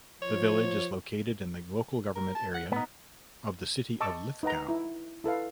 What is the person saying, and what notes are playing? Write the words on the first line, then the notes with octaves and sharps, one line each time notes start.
The village is located in the local government area of the City of Lithgow.
F3 C#5
A#4
A5
F#5
B3 D#4 B4
D#5 A5 C#6 D6 E6
D#4 B4 F#5 A#5
E4
E4 A4 B4 F5